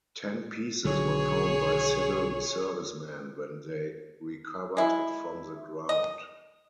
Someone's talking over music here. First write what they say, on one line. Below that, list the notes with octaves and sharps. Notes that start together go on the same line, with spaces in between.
Ten pieces were found by civil servicemen when they recovered it from the ground.
B1 D3 F#3 G#4 C#5
G#3 E4
D#5